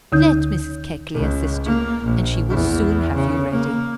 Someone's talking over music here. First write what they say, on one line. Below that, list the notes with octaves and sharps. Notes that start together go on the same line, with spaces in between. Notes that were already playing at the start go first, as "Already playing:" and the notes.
"Let Mrs. Keckley assist you, and she will soon have you ready."
D2 D3 D#4 G6
C#2
A#3
A#1
E2
C#3
A#3